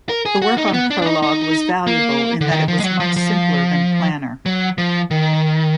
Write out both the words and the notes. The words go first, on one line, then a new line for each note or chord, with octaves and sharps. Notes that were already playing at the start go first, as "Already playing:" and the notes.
The work on Prolog was valuable in that it was much simpler than Planner.
A#4
G#4
F#4
D#4
B3
D4
D4
D#4
D#4
A#3
D3
D#3
F3
G#3
F#3
F3
F3
F#3
F3
D#3